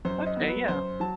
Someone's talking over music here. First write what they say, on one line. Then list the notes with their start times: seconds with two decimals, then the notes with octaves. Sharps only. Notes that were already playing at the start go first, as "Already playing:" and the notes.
Okay. Yeah.
0.05 F#2 C5
0.26 D#5
0.36 F#3 B3
0.47 B4
0.68 F#2 C5
1.00 F#3 A5